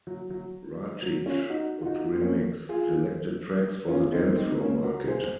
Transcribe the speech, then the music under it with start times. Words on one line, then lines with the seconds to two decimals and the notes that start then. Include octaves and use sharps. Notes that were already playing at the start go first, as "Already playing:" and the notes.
Racic would remix selected tracks for the dance floor market.
0.07 F#3
0.30 F#3
1.02 F#3
1.26 C#4 F4
1.50 D#4 F#4
1.81 F4
1.85 D#4 F#4
2.13 C4
2.21 A#3 C#4
2.69 F4 G#4
3.88 C#4 F4
4.12 C4 D#4
4.36 C4 D#4
4.60 A#3 C#4
4.84 F#4 A#4
5.08 G#4 C5